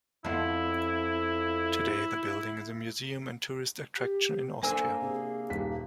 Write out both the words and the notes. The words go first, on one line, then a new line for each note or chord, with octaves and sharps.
Today, the building is a museum and tourist attraction in Austria.
F2 B3 E4
G4
A#3 D4 A4 C5 G#5 E6
C3 G#4
D#1 B6